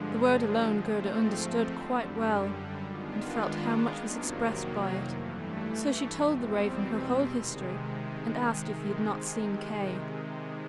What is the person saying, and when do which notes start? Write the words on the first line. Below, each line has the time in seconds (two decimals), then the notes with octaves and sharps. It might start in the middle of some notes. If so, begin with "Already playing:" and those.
The word "alone" Gerda understood quite well, and felt how much was expressed by it; so she told the Raven her whole history, and asked if he had not seen Kay.
Already playing: G2 D3 F3 G#3
0.63 G#2 F3 A3 C4
1.73 F#2 D3 G3
2.83 D#3 G#3 B3 D4 F4
3.93 F2 C3 D#3 F#3 A#3
5.03 G2 E3 A3
6.13 E2 B2 G3 C4
7.22 C3 D#3 G#3